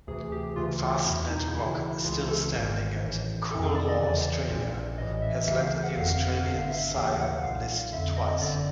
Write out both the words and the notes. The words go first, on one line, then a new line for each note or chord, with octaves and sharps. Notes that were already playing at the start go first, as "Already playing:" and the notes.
Fastnet Rock, still standing at Coolmore Australia, has led the Australian sire list twice.
D2 C3 E3 G#4
G4
D2 C#3 E3 F4
F4
E2 B2 E4
D#4
D2 C#3 E3 E4
C#2 C#3 E3 F4
A4
G#1 G#2 D#3
A1 A2 E3
F2 C3 D#3 A4
G#4
D5
D#5
E2 C#3 E3 D5
A#1 A#2
A1 A2 E3 D#5
E5
D2 C#3 E3 E5
F5
F5
F#5
G1 F2 D3 F5
F#5
G#1 G2 D3 F5
E5
D#2 C#3 E3 F5
F#5
B1 A#2 F5
F2 D3 E5
D#5
G1 F#2 D3 D5